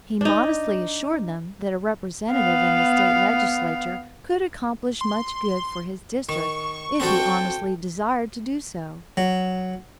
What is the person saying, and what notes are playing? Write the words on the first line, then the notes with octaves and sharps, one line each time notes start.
He modestly assured them that a Representative in the State Legislature could accomplish much good for his district if he honestly desired to do so.
D4 D#4
B3 F5
C6
D#3 C#6
C4 D4 F#4 A4 G5
F#3